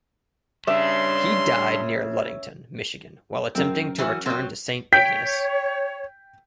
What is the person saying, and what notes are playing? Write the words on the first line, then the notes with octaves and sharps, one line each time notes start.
He died near Ludington, Michigan while attempting to return to Saint Ignace.
C#3 G3 D4 E5 C6 D#6
F#2 C4 A#4
E3 C#4 F#4
F#3 C4
C#5 G5 G6 B6 D7